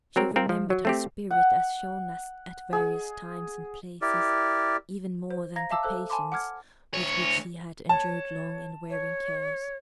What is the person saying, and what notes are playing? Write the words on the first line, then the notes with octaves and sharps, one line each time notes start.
She remembered her spirit, as shown at various times and places even more than the patience with which she had endured long and wearing cares.
F#3 C4 A#4
C4 F4 A#4
F3
F#3
A3 C4 G4
F#5
G#4
E4 G4 A#4 D5
C5
F5 A#5 G#6 A#6
E5 F5 A5 D6 E6
A4 C5 E6 F#6
G#5 A5 B5 C6 D6
F#5 D6 F6 G#6
D2 C#5
C#5 A5
C#5